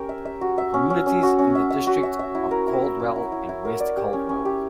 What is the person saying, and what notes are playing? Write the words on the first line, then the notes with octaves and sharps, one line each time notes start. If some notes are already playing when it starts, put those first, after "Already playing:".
The communities in the district are Caldwell and West Caldwell.
Already playing: C#4 G4 A#4
E5
E5
F#4
E5
C#4
C#4
C#4
F#4
C#4
E5
E5
F#4
E5
E5
E4
A#4
E4
E5
E4
E4
E4
E4
A#4
D5
G4
C#4
C#4
G4